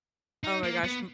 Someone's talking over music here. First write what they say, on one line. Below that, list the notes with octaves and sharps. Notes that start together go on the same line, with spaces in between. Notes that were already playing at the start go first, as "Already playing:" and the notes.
Oh my gosh, m
D#4
A#3
B3